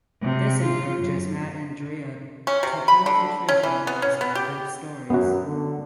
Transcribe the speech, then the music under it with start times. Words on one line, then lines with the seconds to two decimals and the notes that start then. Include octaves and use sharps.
This encourages Matt and Drea to tell the truth in their respective stories.
0.22 C3
0.61 F4
1.00 F#2
2.47 C#4
2.63 C3
2.88 B5
3.06 D3
3.49 C#4
3.63 E3
3.87 B3
4.02 C#4
4.21 B3
4.35 G4
5.10 F#2 B3 F#4
5.46 D3